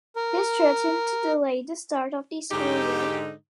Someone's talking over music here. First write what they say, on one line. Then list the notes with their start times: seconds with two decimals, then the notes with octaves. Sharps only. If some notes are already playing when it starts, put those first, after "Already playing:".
This threatened to delay the start of the school year.
0.16 A#4
2.51 G#2 D3 D#4 G4